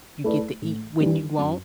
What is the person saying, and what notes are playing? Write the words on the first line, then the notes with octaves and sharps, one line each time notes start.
you get to eat when you want
A3 E4 B4 D5
A2
E3 G3 D4
F#2